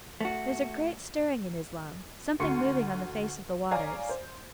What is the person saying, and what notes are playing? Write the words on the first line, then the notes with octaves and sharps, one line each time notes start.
There's a great stirring in Islam, something moving on the face of the waters.
A3 F#4
D2 F#4 C6 C#6 C#7
C#5 D5 F5 G#5 A#5
C5